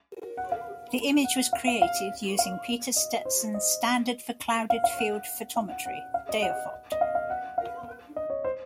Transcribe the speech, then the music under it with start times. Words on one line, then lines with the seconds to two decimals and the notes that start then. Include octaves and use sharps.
The image was created using Peter Stetson standard for clouded-field photometry, Daophot.
0.37 F#5
0.52 F5
1.24 F#5
1.53 F5
1.67 F5
1.82 F5
2.39 F5
2.96 D#5
3.25 C5
3.54 D#5
4.70 F5
4.84 F5
4.99 F#5
5.56 F5
5.71 F#5
5.86 F#5
6.14 F5
6.29 D#5
6.42 F#5
6.92 D#5
7.01 F5
7.15 F5
7.30 F#5
7.58 F5
8.16 D#5
8.30 C#5
8.44 C5